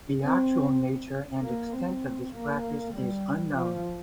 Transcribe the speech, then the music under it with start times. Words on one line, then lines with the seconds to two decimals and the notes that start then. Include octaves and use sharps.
The actual nature and extent of this practice is unknown.
0.23 C4
1.42 A#3
1.72 C4
2.33 A#3
2.93 G3
3.53 F3